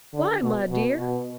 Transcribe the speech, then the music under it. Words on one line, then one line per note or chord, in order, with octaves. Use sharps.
"Why, my dear!"
D3
B2
B2
B2